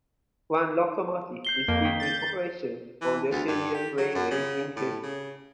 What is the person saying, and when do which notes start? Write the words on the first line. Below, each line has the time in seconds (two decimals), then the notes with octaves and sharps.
One locomotive is still in operation on the Pelion railway in Greece.
1.45 G6 C7 G7
1.68 F2 A#3
1.85 D#3 B6
2.00 G6 A6
3.01 E3
3.31 D2
3.48 G2
3.74 G4
3.97 F#3
4.15 F#2
4.31 C#3
4.77 A2
5.03 C#3